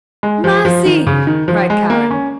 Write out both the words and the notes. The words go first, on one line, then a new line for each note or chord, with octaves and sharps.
"Mercy!" cried Karen.
G#3
F3
F3
D#3
C#3
D#3
F3
G#3
A#3
C#4